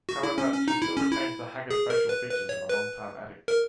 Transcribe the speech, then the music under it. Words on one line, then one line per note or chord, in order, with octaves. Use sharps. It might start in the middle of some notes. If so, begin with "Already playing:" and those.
However, she still retains the haggard facial features of a long-time addict.
F#4
E4
C#4
C#4
D#4
E4
C#4
E4
G#4
A#4
B4
B4
C#5
B4
A#4